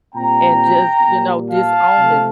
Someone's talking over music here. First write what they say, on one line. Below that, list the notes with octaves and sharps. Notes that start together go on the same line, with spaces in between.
and just, you know, disowning
A#2 G3 C4 G5 A#5
A#2 G3 A#3
F5 A5
C3 F3 A3